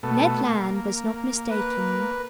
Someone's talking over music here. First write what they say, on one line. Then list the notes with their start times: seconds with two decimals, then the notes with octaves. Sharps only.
Ned Land was not mistaken.
0.03 B2 A3
0.47 A#3
1.50 B4